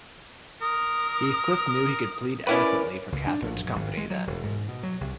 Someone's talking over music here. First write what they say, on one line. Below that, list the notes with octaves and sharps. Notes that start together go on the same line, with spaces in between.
Heathcliff knew he could plead eloquently for Catherine’s company, then.
A#4 D#6
C#4 E4 A#4 B4 D5
C#2
D4
A#1
F#2
G#1
G#3
F#3
E1
G#2
B2
F#3
C2